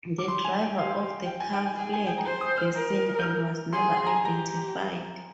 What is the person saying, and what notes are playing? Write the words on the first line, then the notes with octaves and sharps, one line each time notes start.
The driver of the car fled the scene and was never identified.
D6
G4 C6
G#5
G5
F5
G5
G#5
G5
G#5
G#4 G5
G#5
G5
A#5
C5 G#5
D#6
F6
A#4
G6
F6
G#4 C6
C6
A#5
G#5
G4 A#5